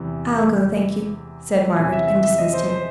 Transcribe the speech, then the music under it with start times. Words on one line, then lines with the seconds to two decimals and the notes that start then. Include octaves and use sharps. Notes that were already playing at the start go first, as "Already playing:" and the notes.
"I'll go, thank you," said Margaret, and dismissed him.
Already playing: E2 C3 E3
1.77 E2 C3 E3 G#5
1.92 E5
2.07 E5
2.23 E5
2.38 D#5
2.54 C5
2.69 C5